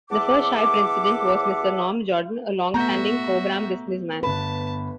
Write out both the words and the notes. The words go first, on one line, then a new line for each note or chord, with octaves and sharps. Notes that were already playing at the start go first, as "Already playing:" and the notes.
The first Shire President was Mr Norm Jordan, a long-standing Cobram business man.
E2 E5 F#5 A5 D6
A3 B3 F#4 E5 A#5 G6
G1 B4 A5 B5